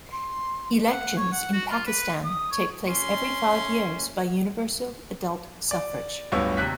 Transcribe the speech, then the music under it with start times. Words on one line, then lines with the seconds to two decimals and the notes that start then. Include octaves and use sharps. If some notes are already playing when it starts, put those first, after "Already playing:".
Elections in Pakistan take place every five years by universal adult suffrage.
0.12 C6
0.91 F#5
1.17 C#5
1.32 F#5
1.53 F#4
1.71 F4
1.86 B4
2.24 D#6
2.51 C#5
2.88 C#4 C6
5.71 D5
6.32 D1 G2 B3 F4 C#5 E6
6.57 D#2 C3 F#6 B6